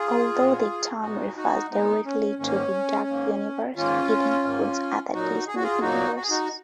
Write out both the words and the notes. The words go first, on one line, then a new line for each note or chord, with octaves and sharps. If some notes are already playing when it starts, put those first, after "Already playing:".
Although the term refers directly to the "Duck universe", it includes other Disney universes.
Already playing: F4 G#4
A#2 G#3 B3
A#2 G#3 B3 D#4 F#4
D#4 F#4
A#2 G#3 B3 D#4
C#4
G#2 D#3 A#3 C#4
G#2 D#3 A#3
G#2 D#3 A#3 C#4 F4
G#2 D#3 A#3
A#2 F#3 A#3 D#4 F#4
G#4
F#4
F4 G#4
A#2 F#3 A#3 D#4 F#4
F#4
G#4
D#4 F#4